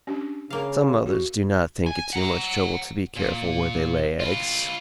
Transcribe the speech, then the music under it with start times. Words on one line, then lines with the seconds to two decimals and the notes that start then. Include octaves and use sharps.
"Some mothers do not think it too much trouble to be careful where they lay eggs."
0.07 C#4 D4 G4
0.50 C#3 A#3 F5
1.06 F#4
1.86 G#5
2.13 F#5 A#5
3.16 A#2
4.20 F4 B4